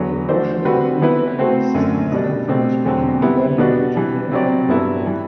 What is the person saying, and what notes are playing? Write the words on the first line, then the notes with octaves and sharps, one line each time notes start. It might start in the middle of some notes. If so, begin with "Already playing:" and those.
The portion improved under this system is unfinished between Grundy, Virginia, and Pikeville.
Already playing: E2 D3 F#3 B3
A3 D4 F#4 A4 C5
D3 G3 C4 F#4 B4
E3 B3 E4 B4
A3 C4 F#4 A4 C5
F#2 D3 A3
B2 G3 D4
B2 A3 C4 G4
E2 D3 F#3 C4
G3 B3 E4
B2 G3 B3 D4 F#4
E3 G3 D4
C3 F#3 C4 G4 D5
G2 F#3 B3 E4 A4
E3 G3